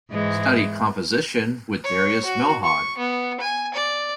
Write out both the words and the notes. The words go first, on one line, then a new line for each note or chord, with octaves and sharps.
Studied composition with Darius Milhaud.
G#2 E3 G#3
C#5
F#4
C#6
B3
G#5
D5